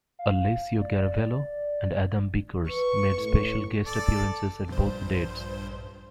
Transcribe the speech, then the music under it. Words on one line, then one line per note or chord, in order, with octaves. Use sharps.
Alessio Garavello and Adam Bickers made special guest appearances at both dates.
F5
D5
B4 C#6
A2
A4 D5
A#1 G2 C5